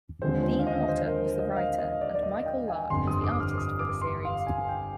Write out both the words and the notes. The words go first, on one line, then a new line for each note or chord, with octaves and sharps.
Dean Motter was the writer and Michael Lark was the artist for the series.
D#2 D3 F3 G#3 C4 C5
C5
F5
D#5
C5
A#4
D#5
F5
D#5
D5
D5
D#5
G5
G#5
G1 F2 D3 C6
D#6
D6
F6
D#6
D6
C6
F5
G#5
G5